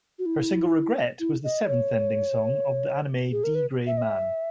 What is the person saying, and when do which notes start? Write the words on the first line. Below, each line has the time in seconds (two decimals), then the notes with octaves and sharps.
Her single "Regret" was the seventh ending song of the anime "D. Gray-man".
0.19 F#4
0.26 E4
1.20 E4
1.44 D#5
1.67 C#5
3.32 G#4
3.44 A#4
3.55 B4
3.87 E5
3.98 D#5
4.02 E5